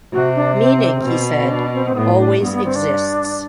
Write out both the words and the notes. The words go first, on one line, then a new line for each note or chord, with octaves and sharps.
Meaning, he said, always exists.
C3 F#4
D4
C4
B2
C4
D4
C4
C4
A2 B3
D4
G2 B3
B3
C4
D4